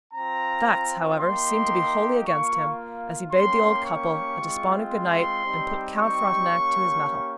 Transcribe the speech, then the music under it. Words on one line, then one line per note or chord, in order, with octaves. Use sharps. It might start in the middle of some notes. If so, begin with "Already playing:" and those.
The facts, however, seemed to be wholly against him, as he bade the old couple a despondent good-night and put Count Frontenac to his mettle.
C4 F4 A#5
A#3 D#4 G4 C6
A#3 F4 C#6
A#3 C#4 G4 C6
C#6
G#3 C4 F4
C6
G3 C4 D#4 G4
C#6
A#3 C#4 G4